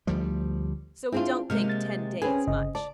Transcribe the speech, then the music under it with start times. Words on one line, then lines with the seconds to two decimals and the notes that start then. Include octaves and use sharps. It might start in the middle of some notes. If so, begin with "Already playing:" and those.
"So we don't think ten days much."
0.07 D2 F3 G3
1.12 C4 D4 E4 F4 G#4
1.50 C3 G#3 A#3 F6
1.69 A6
2.22 C4 C#4 G#4 B4 G#5
2.47 G1 C#3 D#5
2.75 D5 A5